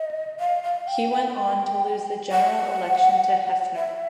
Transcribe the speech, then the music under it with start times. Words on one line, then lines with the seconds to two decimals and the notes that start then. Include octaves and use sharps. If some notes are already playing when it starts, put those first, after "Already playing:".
He went on to lose the general election to Hefner.
Already playing: D#5
0.40 F5
0.64 F5
0.87 G5
1.12 G5
2.32 F#5
3.76 E5